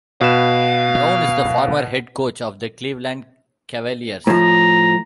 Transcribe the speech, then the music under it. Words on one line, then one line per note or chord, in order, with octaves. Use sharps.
Brown is the former head coach of the Cleveland Cavaliers.
B2 B4 F5 E7
A2 F3 A#5